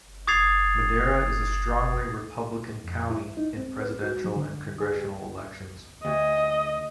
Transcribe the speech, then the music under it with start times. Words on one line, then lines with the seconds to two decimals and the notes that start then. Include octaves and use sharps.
Madera is a strongly Republican county in Presidential and congressional elections.
0.27 D6 D#6 G#6 A6 C7 F7
2.84 F2
3.10 E4
3.37 D#4
3.57 C4
3.82 B4
4.03 F#4
4.24 F#3
4.36 D3
4.80 G#4
4.95 G4
6.05 D2 D#5